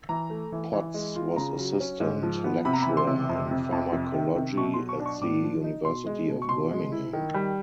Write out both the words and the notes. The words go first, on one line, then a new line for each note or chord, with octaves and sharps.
Potts was assistant lecturer in pharmacology at the University of Birmingham.
E3 A#5
A3
E3
E3
G#3
F4
C#3 A#5
F#3
C#4
G#2
F3
B3
C3 B5
A#5
B5
E3
C6
C3
F2
C3
F2
C3
D#3
C3
B2 C#6
C6
F#3
C#6
D4
C#6
A2 D6
F3
D#4
B2 C6
G#3
B2
C#6
B2 C6
G#3
E4
D#3
G3